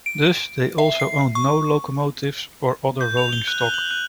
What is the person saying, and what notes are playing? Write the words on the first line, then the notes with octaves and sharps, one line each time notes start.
Thus they also owned no locomotives or other rolling stock.
D7
E5
C7
C#6
G6
F7
G7
F#6
F#6
F#7
F#6